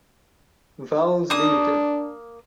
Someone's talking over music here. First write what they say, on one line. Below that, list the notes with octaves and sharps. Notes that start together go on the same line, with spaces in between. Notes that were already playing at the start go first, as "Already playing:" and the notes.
Vowles Ltd.
A#3 D4 D#6